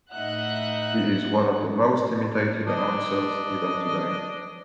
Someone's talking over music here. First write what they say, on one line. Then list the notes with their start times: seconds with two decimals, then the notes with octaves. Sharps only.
He is one of the most imitated announcers even today.
0.13 A2 D#4 D#5 E5 F#5 F#6
2.66 D4 D#5